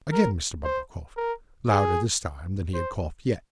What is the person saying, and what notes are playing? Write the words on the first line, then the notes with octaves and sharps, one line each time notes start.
Again Mr. Bumble coughed--louder this time than he had coughed yet.
A#4
C5
A#4
G#4
C5